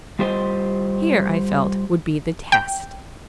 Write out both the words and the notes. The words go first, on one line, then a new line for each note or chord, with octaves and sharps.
Here, I felt, would be the test.
G3 F4 G4 C5 D#5
G5